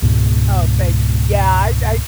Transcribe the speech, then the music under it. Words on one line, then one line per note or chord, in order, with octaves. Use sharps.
Oh, thank you. Yeah. I I
C#2 G#2 B2